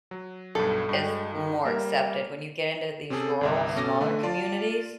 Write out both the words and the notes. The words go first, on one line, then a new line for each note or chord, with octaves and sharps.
is more accepted. When you get into these rural smaller communities
F#3
B1 G2 A4
G2 G#3 F#4 G5
D#3
G3 A#3 A#4
C3 C4 C#4 G#4 A4
G1 C2 E5
B2 C#4 A4 D6 A#6
D3 A3
F4 D5 A5 C6